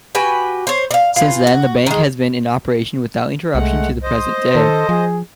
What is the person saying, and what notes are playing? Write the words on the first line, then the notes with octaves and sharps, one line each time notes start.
Since then the bank has been in operation without interruption to the present day.
F#4 G4 B4 G#5
C5 C#5
D5 F5
E3 F4
F#4
D#3 G#3
C2 G#3 A3 F#5
C5 D#5
D#3 A4
F3 G#4